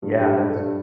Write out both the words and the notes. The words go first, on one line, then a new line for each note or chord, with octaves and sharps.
Yeah. That's
G2
G2 A4
G4
G2
A4
G2